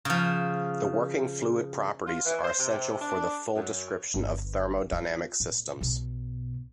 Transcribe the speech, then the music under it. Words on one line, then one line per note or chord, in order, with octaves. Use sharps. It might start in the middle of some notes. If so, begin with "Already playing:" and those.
The working fluid properties are essential for the full description of thermodynamic systems.
C#3 F3
F4
E3
C5
C3
D4
F#2
G1 D3
F4
A#2
B1 B2